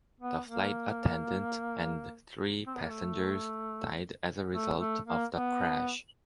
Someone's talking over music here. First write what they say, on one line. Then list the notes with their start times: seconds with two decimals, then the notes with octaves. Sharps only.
The flight attendant and three passengers died as a result of the crash.
0.21 B3
0.47 A#3
2.67 C4
2.75 B3
2.83 A#3
2.90 A3
4.52 A3
4.79 A3
5.06 A#3
5.33 B3